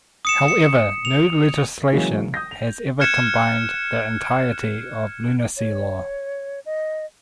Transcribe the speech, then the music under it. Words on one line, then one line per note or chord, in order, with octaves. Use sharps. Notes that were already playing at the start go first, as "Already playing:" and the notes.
However, no legislation has ever combined the entirety of Lunacy Law.
D#6 C#7 E7
C#7
F7
C#3 E3 F#3 G#3 A#3
D#6 G6 A#6
F7
F6 F#6 G#6 C#7 E7
C#5
D#5